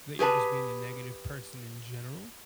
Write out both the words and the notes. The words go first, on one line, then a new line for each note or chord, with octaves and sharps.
that you're just being a negative person in general,
G4 G#4 B4 A5